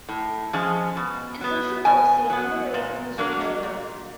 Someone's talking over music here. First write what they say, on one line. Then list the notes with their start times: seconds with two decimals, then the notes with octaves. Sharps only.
In social policy, a number of reforms were carried out.
0.09 A2
0.53 F3 G#3 C#4
0.97 B2
1.41 F#3 B3
1.85 B2 G#5
2.30 F#3 B3
2.74 A#2
3.18 F#3 A#3 D4
3.63 A#2